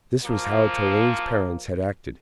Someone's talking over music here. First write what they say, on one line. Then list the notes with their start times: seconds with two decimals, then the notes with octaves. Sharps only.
This was how Toline's parents had acted.
0.24 F3 A#3